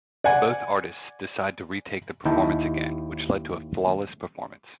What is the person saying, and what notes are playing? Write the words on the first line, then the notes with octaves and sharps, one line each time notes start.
Both artists decided to retake the performance again, which led to a flawless performance.
D5 F#5 G#5
D#2 D#4 E4 G5 A5